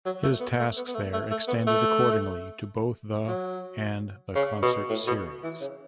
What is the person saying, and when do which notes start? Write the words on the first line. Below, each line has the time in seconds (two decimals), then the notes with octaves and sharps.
His tasks there extended accordingly to both the and the concert series.
0.06 F#3
0.23 A3
0.40 B3
0.59 A3
0.77 B3
0.88 B3
0.95 A3
1.13 A3
1.31 A3
1.48 B3
1.67 A3
3.28 F#3
4.36 C#3
4.62 B2
4.89 A2
5.07 B2
5.43 E3
5.61 C#3